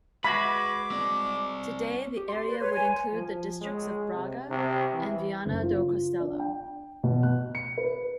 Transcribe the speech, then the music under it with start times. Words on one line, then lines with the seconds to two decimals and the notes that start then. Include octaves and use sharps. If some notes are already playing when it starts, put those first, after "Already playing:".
Today, the area would include the districts of Braga and Viana do Castelo.
0.24 G#3 F#4 B4 B5 D6
0.92 C4 D5
2.17 G4
2.29 C6
2.47 B4 D5
2.60 B4 C#5
2.73 C#5 G#5
3.12 F3
3.61 G#3
4.14 C3
4.50 C3
4.94 E3
5.46 F#1
5.63 F4
6.20 D4
6.40 G5
7.03 B2
7.23 F#6
7.55 C#7
7.78 B4